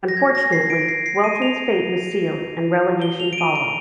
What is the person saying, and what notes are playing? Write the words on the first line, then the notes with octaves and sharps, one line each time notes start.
Unfortunately Welton's fate was sealed and relegation followed.
A#6
G#6
A#6
C7
D7
C7
C7
D#7
F7
G7
F7
D7
D#7
D7